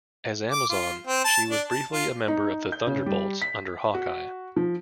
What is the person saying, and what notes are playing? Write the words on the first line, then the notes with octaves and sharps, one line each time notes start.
As Amazon, she was briefly a member of the Thunderbolts under Hawkeye.
D6
F4
C4
A5
D4
A5
F4
D#4
G6
C#3
G3
B6
F#4
F3